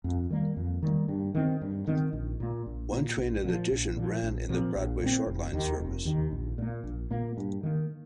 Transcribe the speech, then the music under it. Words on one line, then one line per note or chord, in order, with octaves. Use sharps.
One train in addition ran in the Broadway Short Line service.
F2
D#3 G3 A#3
F2
D#3 G3 A#3
G2
D#3 C4
G2
D#3 C4
A#1
A#2 A#3
A#1
A#2 A#3
A#1
A#2 F3
A#1
A#2 F3
A#1
A#2 F3 C4
A#1
A#2 F3 C4
F1
D#2 D#3
F1
D#2 D#3
A#1
A#2 A#3
A#1
A#2 A#3
G2
D#3 A#3